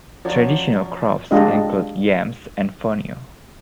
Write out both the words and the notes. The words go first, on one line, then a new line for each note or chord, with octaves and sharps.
Traditional crops include yams and fonio.
F3 F#3 C#4 F#4 C#5 D5
G#3 D4 F4 G4 D#5